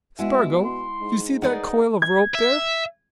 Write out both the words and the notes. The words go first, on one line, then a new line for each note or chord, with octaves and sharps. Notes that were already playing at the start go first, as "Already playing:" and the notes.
Spargo, you see that coil of rope there.
B2 G#3 E4 E5 F#5 G#5
C6
G#2
D#4 G#4 A#4 B4 D5 D#5 F#5
G#6
E5